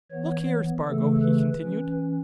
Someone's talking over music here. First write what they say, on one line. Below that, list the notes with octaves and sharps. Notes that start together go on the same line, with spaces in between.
"Look here, Spargo," he continued.
E3 B3 C#5
C#3 E3 A3 A4
B4
E3 C#4